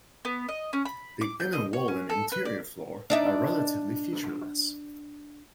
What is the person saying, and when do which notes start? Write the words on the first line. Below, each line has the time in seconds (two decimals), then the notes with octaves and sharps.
The inner wall and interior floor are relatively featureless.
0.25 B3
0.49 D#5
0.73 C#4
0.85 B5
1.21 D6
1.40 G6
1.53 D#5
1.73 C#5
1.88 C#4
2.10 A4
2.32 B4
2.45 D5
3.10 D4 D#4 E5